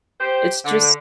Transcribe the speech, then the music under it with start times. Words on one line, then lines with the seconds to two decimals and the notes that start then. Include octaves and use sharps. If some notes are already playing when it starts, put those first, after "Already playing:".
It's just
0.20 G4 C5
0.64 D3